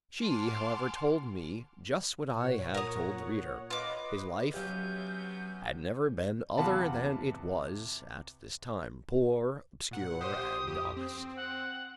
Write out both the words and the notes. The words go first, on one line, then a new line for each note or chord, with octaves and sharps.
She, however, told me just what I have told the reader; his life had never been other than it was at this time, poor, obscure and honest.
F#5 G#5 A5 C6 D6 F6
A#2 C#5 F#5
A#4 D#6
F4 B4 D#5 D6
C3 F#3 B3 C#4 G4 E5 F5 G6
E2 C3 F4 F#5 A5 B5
A#2 F#5
G4 C5 D#6
F2 G4
C4
F#5